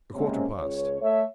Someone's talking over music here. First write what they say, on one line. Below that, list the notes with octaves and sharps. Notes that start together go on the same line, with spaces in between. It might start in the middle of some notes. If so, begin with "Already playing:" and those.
A quarter past.
C3 G#3 A#3 C4 C#4
C#2 C#5
A3 C#5 E5